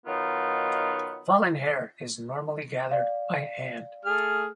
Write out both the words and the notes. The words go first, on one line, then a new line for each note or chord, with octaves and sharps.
Fallen hair is normally gathered by hand.
D#3 F#3 B3 D#4 F4
D5 F5
A3 G#4 F6